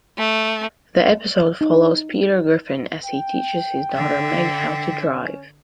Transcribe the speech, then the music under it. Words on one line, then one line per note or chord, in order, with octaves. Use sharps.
The episode follows Peter Griffin as he teaches his daughter Meg how to drive.
A3
D#4
G5
D3 E5
C#4